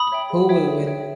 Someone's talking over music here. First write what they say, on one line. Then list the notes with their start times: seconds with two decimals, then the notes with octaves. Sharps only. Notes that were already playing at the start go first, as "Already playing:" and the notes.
Who will win?
Already playing: B5 D#6
0.12 C#5 E5 G5
0.30 G#4
0.49 C#5 E5 G5
0.68 G#4
0.86 C#5 E5 G5